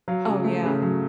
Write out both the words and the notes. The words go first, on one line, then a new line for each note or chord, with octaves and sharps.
Oh yeah.
F#3 F5
C#3
A3
C#3
F#3